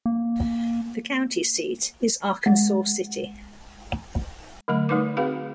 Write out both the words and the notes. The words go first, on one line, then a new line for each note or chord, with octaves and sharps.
The county seat is Arkansas City.
A#3
G#3
D3 F#3 A3 B5
G3 A3 D#4 B4 D6
C4 F#4 G#4 B4 F5 B5